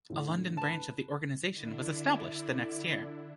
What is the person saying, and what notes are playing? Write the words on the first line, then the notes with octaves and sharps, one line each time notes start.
A London branch of the organisation was established the next year.
A2 D3
B4 A5
D3 D4 E4